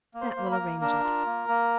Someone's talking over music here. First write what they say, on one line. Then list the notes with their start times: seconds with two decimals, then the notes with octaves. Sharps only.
"That will arrange it."
0.14 A#3
0.21 C5 C6
0.36 A#3
0.45 B5
0.51 A#4 A#5
0.59 A#3
0.81 D4 A#4 A#5
1.04 F4
1.26 A#3
1.48 A#3